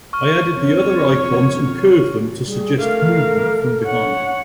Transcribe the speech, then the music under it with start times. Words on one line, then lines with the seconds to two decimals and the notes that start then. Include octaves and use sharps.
I added the other icons and curved them to suggest movement from behind.
0.13 C#6 F6
0.57 F2 C#5
2.45 G3 G#4
2.77 A3 A4 A#4 F5
3.85 C#5 F#5